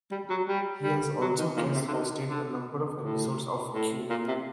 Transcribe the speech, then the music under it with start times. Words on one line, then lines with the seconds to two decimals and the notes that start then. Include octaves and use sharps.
He has also guest hosted a number of episodes of "Q".
0.11 G3
0.30 F#3
0.48 G3
0.84 G3
1.21 F#3
1.38 D#3
1.56 A#2
1.74 C3
1.88 D3
1.93 D#3
2.30 D3
3.01 A2
3.74 A2
4.10 A#2
4.28 C3